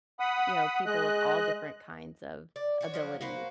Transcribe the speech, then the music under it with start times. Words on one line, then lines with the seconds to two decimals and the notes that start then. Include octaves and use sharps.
you know, people of all different kinds of abilities.
0.20 F#5 B5 D#6
0.86 G#3 D#5 F#6
2.56 D5
2.81 F#4 G4 C#5
2.94 F3 F#3 F#4
3.21 A#3 F#4 B4 C5